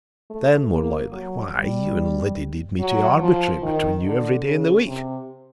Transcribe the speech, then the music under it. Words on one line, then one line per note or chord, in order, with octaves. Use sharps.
Then, more lightly: "Why, you and Liddy need me to arbitrate between you every day in the week."
A3
A#3
F#3
G3
F#3
F3
D#3
D3
C#3
C3